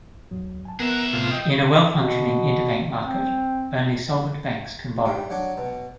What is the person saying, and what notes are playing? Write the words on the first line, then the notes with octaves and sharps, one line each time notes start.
In a well-functioning interbank market only solvent banks can borrow.
D#2 G#2 F#3
G#5 A5
B3 G#4 A#4 E5 F#5
A2 C3 F4
D#5 G5
B2
C4
G3
F#3 D4
B2